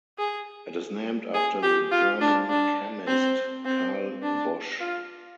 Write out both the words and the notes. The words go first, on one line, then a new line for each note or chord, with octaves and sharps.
It is named after the German chemist Carl Bosch.
G#4
G#4
G4
F4
D4
D4
C4
C4
D4
F4